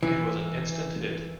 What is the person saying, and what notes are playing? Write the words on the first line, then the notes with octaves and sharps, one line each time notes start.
It was an instant hit.
E3